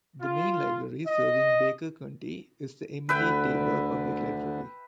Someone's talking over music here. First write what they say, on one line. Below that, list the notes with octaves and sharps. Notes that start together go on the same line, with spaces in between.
The main library serving Baker County is the Emily Taber Public Library.
F4
D#5
D2 D3 B4 E5 G5